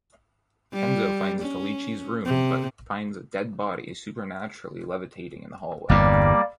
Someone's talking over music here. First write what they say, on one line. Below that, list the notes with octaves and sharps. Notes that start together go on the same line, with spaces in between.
Kenzo finds Fellicci's room but finds a dead body supernaturally levitating in the hallway.
G3
C#4
C3
G1 E2 G2 G3 A#3 D5